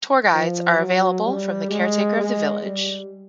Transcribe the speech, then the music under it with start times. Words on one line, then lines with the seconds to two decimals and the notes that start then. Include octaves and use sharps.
Tour guides are available from the caretaker of the village.
0.33 F3
0.78 F#3
1.25 G3
1.71 G#3
2.17 G#3
2.63 G3